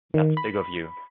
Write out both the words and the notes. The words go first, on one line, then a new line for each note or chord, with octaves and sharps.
That's big of you.
D#3
B5